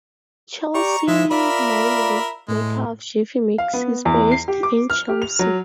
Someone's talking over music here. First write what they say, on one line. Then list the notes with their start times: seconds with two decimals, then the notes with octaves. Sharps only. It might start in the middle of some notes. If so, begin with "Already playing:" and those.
Chelsea Milling, maker of Jiffy Mix, is based in Chelsea.
0.75 G4 D5 A#5 C#6
1.08 F3 G#3 E4 E5
1.31 F4 A#4 D5 E5 B5
2.48 A2 G#3
3.58 F5
3.73 B3
4.05 E2
4.32 C7
4.48 G4
4.63 D6
4.90 F6
5.09 G4
5.22 F7
5.39 F#3